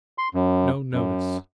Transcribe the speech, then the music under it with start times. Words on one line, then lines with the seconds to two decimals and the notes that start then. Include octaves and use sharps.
No notice.
0.18 C6
0.34 F#2
0.93 F#2